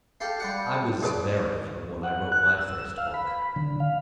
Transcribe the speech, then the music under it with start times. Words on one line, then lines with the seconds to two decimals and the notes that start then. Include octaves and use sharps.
I was very young when I wrote my first book.
0.20 G4 A4 F5
0.40 G3 D5 F#5
1.02 G#4 B4 D5
2.04 F#5
2.32 F#6
2.58 E6
2.98 F5
3.14 B5
3.56 D3
3.80 F5